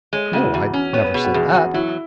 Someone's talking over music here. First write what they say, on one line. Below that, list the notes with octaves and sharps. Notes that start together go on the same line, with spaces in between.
"No, I never said that."
G#3 C#5
C#3 F#4
E4
E2 F#4
C#4
B3 C#5
B4
B2 G#4
F#4
E2 G#4
E2 F#4
F#3 E4